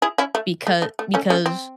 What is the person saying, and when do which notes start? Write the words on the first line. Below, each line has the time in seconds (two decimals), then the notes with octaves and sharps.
becau because
0.02 E4 G#4
0.18 C#4 E4
0.35 A3
0.67 A3
0.82 A3
0.99 A3
1.14 A3 C#4
1.30 A3 C#4
1.46 C4